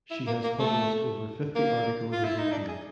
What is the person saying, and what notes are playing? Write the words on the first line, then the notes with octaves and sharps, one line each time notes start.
She has published over fifty articles in her field.
E4
A#3
A#3
A3
A#3
F4
E4
D#4
D4
G#4